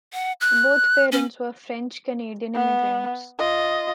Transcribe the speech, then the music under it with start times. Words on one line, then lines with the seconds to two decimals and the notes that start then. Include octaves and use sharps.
Both parents were French-Canadian immigrants.
0.13 F#5
0.41 F#6
1.12 C#4
2.55 B3
3.39 F4 D#5